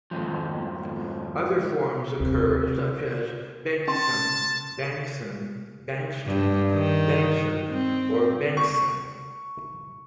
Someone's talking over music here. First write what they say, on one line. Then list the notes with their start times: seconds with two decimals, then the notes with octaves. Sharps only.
Other forms occur, such as "Bengtzon", Bankson, Bankston, Benson or "Benktsson".
0.11 F2 G#2 D#3 F3
2.20 D#2 C3
3.88 C#4 A5 C6
6.26 G2
6.71 D#3
7.70 C4
8.57 C#6